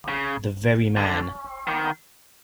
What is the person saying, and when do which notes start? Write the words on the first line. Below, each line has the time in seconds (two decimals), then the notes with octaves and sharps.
The very man.
0.09 C#3
0.97 D3
1.68 D#3